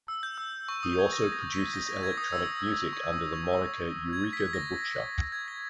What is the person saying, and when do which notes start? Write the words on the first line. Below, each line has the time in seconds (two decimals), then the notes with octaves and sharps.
He also produces electronic music under the moniker Eureka the Butcher.
0.08 E6
0.23 G6
0.38 E6
0.68 C#6
0.83 D#6
0.98 G#6
1.13 A#6
1.32 A#6
1.52 B6
1.73 A#6
1.88 A#6
2.03 G#6
2.18 D#6
2.32 E6
2.93 C#6
3.13 D#6
3.33 C#6
3.53 D#6
4.13 G#6
4.33 B6
4.53 A#6
5.32 G#6
5.48 A#6